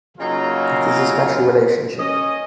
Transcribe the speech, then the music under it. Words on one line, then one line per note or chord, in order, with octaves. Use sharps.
It is a special relationship.
C#3 F#3 A#3 D#4 F4
C#4 D#5